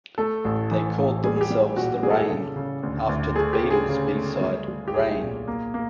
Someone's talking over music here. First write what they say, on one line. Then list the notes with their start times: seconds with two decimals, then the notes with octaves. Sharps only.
They called themselves The Rain, after The Beatles' B-side, "Rain".
0.18 A3 A4
0.45 A1
0.71 E3
0.97 A1
1.24 G3 G#4
1.37 G#4
1.41 G4
1.50 G3
1.76 A#2 F#4
2.03 G3 G#4
2.11 A4
2.18 G#4
2.29 C#3 A4
2.56 C#3
2.83 D2
3.09 D2
3.35 A3 G#4
3.53 G4
3.62 C#3
3.70 G#4
3.89 C#3
4.15 A3
4.41 G3
4.68 G3
4.88 G4
4.94 B1 G#4
5.21 A#2
5.48 A#3
5.74 A#3